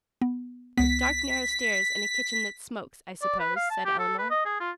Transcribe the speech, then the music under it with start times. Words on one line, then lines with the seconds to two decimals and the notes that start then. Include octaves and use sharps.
"With dark narrow stairs and a kitchen that smokes, I suppose," said Elinor.
0.22 B3
0.77 C#2 B3 B6
3.22 D5
3.40 B4
3.56 F5
3.71 A5
3.85 G4
3.99 A4
4.18 B4
4.30 D#5
4.45 G#4
4.60 F4